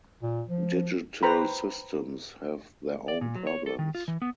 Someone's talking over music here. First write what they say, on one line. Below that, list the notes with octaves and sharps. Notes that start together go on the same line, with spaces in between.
Digital systems have their own problems.
A#2
F3
B4 C5 G5 A#5 B5
D5
A#2
F#3
C#5
A4
D#3
F4
E3
B3